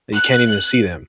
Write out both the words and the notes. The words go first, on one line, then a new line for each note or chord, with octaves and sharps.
that you can't even see them.
F#6